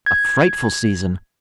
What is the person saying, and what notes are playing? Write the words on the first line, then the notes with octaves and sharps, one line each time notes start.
A frightful season!
G#6